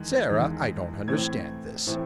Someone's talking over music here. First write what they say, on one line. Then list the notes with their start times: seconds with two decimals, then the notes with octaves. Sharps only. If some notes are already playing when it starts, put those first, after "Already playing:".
Sarah, I don't understand this.
Already playing: E2 D#3 G#3
0.29 E2 D#3 G#3
1.08 A2 E3 A3 C4 G#6
1.87 A2 E3 A3 C4